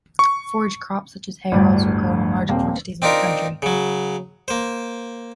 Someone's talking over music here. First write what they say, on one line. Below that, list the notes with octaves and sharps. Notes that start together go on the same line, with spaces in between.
Forage crops such as hay are also grown in large quantities in the county.
C#6
G1 D2 A2 G3 D5
D#1 A#3 C4
C4 D4 D#4 F4 A#4
C#3 F#3
A#3 C5